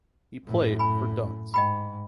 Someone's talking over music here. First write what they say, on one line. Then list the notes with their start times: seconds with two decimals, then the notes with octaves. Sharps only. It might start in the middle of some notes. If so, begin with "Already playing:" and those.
He played for Duns.
0.46 F#2 A2
0.79 G#5 B5
1.54 G#2 D#5 G5 B5